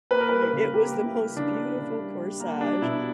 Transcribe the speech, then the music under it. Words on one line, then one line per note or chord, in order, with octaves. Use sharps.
it was the most beautiful corsage,
A#3 B4
A#4
G3 B4
B4
C#3
A#3 G4
C#3
E4
G3
C#3 D4
A#3
C#3
G3
G3
A#3
G3 D4
B2 E4